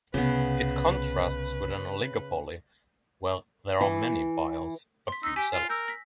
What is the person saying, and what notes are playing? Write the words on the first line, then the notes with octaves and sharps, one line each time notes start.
It contrasts with an oligopoly, where there are many buyers but few sellers.
C2 C#3 B3 B4
E3
C6 B6
D#4 E6
G4 G#5 B6
F4
A#4 E6 G6
A#6 B6